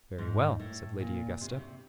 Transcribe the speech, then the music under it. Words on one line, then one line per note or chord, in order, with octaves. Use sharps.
"Very well," said Lady Augusta.
G#2
A2
A#2
C3
C#3
C3